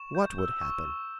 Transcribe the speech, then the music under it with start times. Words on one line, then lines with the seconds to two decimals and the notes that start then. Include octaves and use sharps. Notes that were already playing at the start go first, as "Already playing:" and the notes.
"What would happen?"
Already playing: C#6 E7
0.15 G6
0.38 E6
0.61 C#6
0.84 C#6